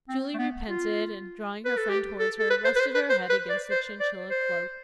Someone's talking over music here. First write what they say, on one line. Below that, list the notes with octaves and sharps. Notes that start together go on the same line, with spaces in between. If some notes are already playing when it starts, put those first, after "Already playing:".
Julie repented, and, drawing her friend towards her, rested her head against the chinchilla cloak.
C4
A3
B3
F4
B4
A4
G4
A4
A4
B4
C5
B4
C5
B4
C5
B4
D5
C5
D5
C5